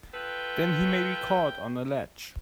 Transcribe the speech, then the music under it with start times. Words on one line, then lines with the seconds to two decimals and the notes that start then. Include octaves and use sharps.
Then he may be caught on a ledge!
0.14 F4 A4 B4 G5